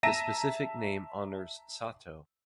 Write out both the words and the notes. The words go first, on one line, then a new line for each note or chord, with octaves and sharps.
The specific name honours Sato.
E5 A5 A#5 A#6 D#7 E7